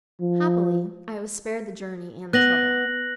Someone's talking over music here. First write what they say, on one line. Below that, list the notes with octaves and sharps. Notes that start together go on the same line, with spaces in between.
Happily, I was spared the journey and the trouble.
F3
B3 F#6 A#6 F#7